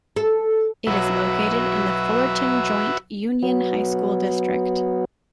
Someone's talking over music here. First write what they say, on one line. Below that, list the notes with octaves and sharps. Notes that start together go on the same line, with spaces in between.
It is located in the Fullerton Joint Union High School District.
A4
B1 F#3 F#4 B4 E5
F#3 B3